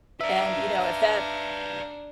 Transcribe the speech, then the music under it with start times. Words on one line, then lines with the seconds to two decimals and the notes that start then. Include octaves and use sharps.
And, you know, if that
0.21 D4 B4 D5 E5 F5 A#5